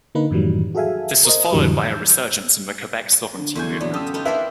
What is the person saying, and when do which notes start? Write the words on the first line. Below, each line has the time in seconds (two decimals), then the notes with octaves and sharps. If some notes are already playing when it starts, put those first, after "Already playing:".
This was followed by a resurgence in the Quebec sovereignty movement.
0.15 D3 A#3 D#4 B4
0.31 F#2 A2 D#3 E3 F#3 G3
0.75 F#4 G#4 A4 E5 F5 G#5
1.25 A#4 C5 D#5
1.52 F2 A2 D3 E3 F#3 G3
1.79 E6 G6
3.38 D3
3.55 E2 D3 F#4 G#5 C6 C#6 G6
3.81 E2 A#2 F#3 B3 D4
3.94 F#2 F4 G4 A4 D#6 E6
4.14 B3 D#4 F4 A4
4.25 A#3 C4 D4 E4 B4 E5 A5 C7